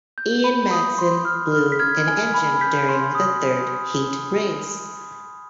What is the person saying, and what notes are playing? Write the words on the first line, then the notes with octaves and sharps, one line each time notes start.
Ian Madsen blew an engine during the third heat race.
G6
B5
D#6
C6
F6
F6
B6
F6 G#6
G#5
B5
G6 B6
C6
D#6